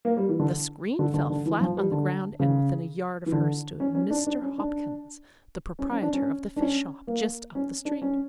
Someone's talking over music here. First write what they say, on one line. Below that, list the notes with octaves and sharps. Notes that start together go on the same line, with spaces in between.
The screen fell flat on the ground and within a yard of her stood Mr. Hopkins, the proprietor of the fish- shop just up the street.
A#3
G3
E3
D3
D3
D3
D3
E3
F3
G3
D3
C#3
E3
D3
C#4
C#4
D4
D4
C#4
D4
C#4
C#4
D4
C#4
D4
C#4
A#3
C#4
D4
C#4